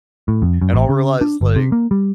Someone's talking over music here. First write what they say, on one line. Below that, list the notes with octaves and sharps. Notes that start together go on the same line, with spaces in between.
and I'll realize, like
A2
F2
F#2
A1
C#3
D4
G1
C3
A#3
G3